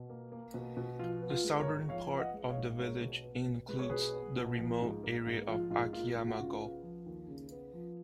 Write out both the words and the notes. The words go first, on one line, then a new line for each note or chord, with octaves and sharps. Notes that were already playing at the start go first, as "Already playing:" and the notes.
The southern part of the village includes the remote area of Akiyama-go.
Already playing: B2
A#3
A#3
B2
B2
F3 F4
B3
F4
G#3
A#4 C#5
G#2
F3 C#5 F5
B3
D#5 F#5
G#3
C#5 F5
G#2
G#3 A#4 C#5
B2
B3
B2
G#3 B4
C#5
B2 G#4 B4
B3
B2
F3
G#2
A#3
G#2
F3 F4
G#2 F4
A#3 F4
G#2 F4
F#4
C#3 F4
B3
F3
D#2
C#3
B3
F3